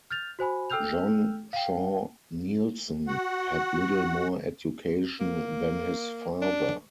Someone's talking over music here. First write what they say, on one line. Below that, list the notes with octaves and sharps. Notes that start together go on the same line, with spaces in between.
John Shaw Neilson had little more education than his father.
F6 G6 A6 F7
F#4 C5 G#5 B5
A4 G5 E6 F6 G6 F7
F5 G5
F#4 F#5
A#3
D4